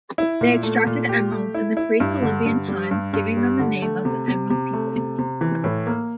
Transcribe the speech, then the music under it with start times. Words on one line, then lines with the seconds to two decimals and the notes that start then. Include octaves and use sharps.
They extracted emeralds in pre-Columbian times, giving them the name "The Emerald People".
0.18 E4
0.41 A#2
0.63 A3
0.87 A#2
1.09 G4
1.32 A3
1.54 E4
1.77 E4
2.00 G2
2.22 D3
2.46 G2
2.68 G3
2.91 G2
3.13 G2
3.37 G3
3.59 D3
3.82 A3
4.05 C3
4.28 C3
4.50 C3
4.73 A3
4.96 C3
5.19 C3
5.41 E3
5.64 A2
5.87 A#3